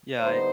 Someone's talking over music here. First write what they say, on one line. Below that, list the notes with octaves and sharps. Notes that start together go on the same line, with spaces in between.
Yeah, I
D3 G3 B3 D#4 C5